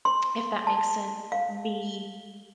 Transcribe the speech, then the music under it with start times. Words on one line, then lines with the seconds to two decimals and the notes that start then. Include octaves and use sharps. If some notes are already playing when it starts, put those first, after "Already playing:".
if that makes sense. Me,
0.05 C6
0.67 A5
1.32 F5